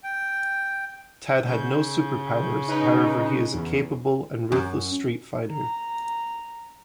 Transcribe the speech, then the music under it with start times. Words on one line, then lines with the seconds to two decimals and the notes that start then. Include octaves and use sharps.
Tad has no superpowers, however he is a capable and ruthless street fighter.
0.04 G5
1.45 C#3 G6
2.68 C#4 D#4 B4
3.54 E2
4.52 F#2
5.51 A#5